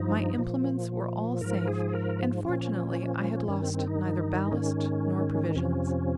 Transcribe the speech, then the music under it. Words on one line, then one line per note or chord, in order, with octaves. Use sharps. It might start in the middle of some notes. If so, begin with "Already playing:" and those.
My implements were all safe, and, fortunately, I had lost neither ballast nor provisions.
Already playing: G2 F3 D#4
A#2 F3
G#2 F3 A#4
G#4
A#4
A#2 F3 C#4
G2 D#3 C#4
C4
C4
D#4
G#2 D#3 C#4
F2 C3 F3 C#4